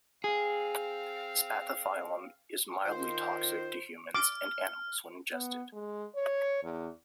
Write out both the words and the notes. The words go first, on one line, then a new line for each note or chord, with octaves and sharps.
Spathiphyllum is mildly toxic to humans and animals when ingested.
C4 G#4 F5
D#3 F4 C5
D6 F6
B3
G#3
C#5
E2